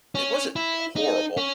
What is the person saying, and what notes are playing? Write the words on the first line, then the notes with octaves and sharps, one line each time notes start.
It wasn't horrible.
C#4
E4
D#4
C#4